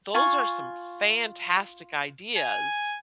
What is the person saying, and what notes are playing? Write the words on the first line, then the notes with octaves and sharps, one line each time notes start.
those are some fantastic ideas,
F4 G#5 C#6
G#5